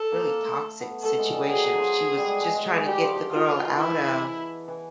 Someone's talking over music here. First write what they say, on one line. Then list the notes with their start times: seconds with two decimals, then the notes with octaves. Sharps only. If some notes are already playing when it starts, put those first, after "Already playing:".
really toxic situation where she was just trying to get the girl out of
Already playing: A4
0.12 A#3
0.27 A#3
0.42 A3
0.80 B3
1.02 A3 A4
1.18 G#3
1.33 G3
1.49 F#3 G#4
1.64 F#3
1.75 F3 F#3
2.17 G3
2.25 G#3
2.40 G#3
2.55 G#3
2.71 G#3
2.85 G3 G4
3.01 F3
3.16 F3
3.31 F3 F4
3.47 E3
3.62 D#3
3.77 E3 E4
4.07 E3
4.68 E3